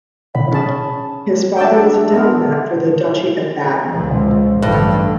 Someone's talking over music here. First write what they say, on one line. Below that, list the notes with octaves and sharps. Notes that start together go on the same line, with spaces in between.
His father was a diplomat for the Duchy of Baden.
B5
C#4 G#4 A5
A3 D4 E5 G5 A5
G#3 B3 A#4
C#2 F3
A1 G2 D3 A3